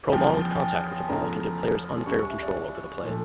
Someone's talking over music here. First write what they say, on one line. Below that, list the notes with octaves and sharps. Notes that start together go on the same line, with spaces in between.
Prolonged contact with the ball can give players unfair control over the play.
E2 C#3 F3 G5
E2 C#3 F3 A3 A#5
C#2 C#3 G3 C#6
C#6
E5
D5
D5
A#2 F3 A3